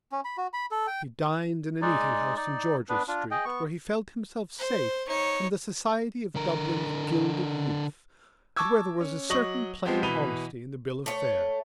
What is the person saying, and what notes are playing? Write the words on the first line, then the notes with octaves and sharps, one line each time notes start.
He dined in an eating-house in George's Street where he felt himself safe from the society of Dublin's gilded youth and where there was a certain plain honesty in the bill of fare.
C#4
B5
F#4
B5
A4
G5
G#3 D#4 D5
D#4 D5
B3 D4 B4
D4 F4
G#4 D#5 G5
B3 C#6
C5
D#4 C#5
D3 A#4
A5 C#6 D6 E6 G#6
C#4
F#3 D#5 C#6 A#6 F#7
F3 G#3 B3 C4 G4
B2 E3 B5 D#7 F7 G7
A3 C#5